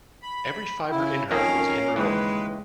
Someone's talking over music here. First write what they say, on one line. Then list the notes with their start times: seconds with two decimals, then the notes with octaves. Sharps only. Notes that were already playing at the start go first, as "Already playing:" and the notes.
Every fibre in her was in revolt.
0.22 B5
0.91 C#3 E4
1.31 F2 D#3 A#3 C#4 A#4 F5
1.96 D#2 C#3 E3 G#3 B4